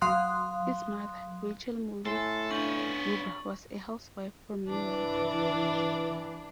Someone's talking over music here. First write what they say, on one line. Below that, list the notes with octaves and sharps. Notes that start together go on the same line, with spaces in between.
His mother, Rachel Molly Gruber, was a housewife from New York.
F#3 F5 C6 D#6 F#6
A2 A4 G#5 C6 C7
B3 C#4 D4 F5 C#6 G6 A6 F#7
E3 D4